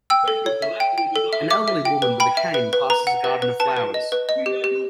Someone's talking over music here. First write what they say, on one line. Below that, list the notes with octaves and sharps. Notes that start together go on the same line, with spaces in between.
An elderly woman with a cane passes a garden of flowers.
G5 E6
A4
C#5
E5
G5
G5
A4
E5
E5 D6
E5
G5
B4
G5 B5
E5
B4
B4
B4 A#5
F#5
B4
B4
B4 A5
B4
D#5
B4
D#5
G4
G4